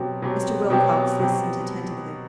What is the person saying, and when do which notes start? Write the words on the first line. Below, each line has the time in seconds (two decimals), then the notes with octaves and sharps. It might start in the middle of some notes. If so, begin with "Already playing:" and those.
Mr. Wilcox listened attentively.
Already playing: B2 F#3 C4 G4
0.22 B2 F#3 C4 G4
0.70 B2 F#3 C4 G4
1.19 B2 F#3 C4 G4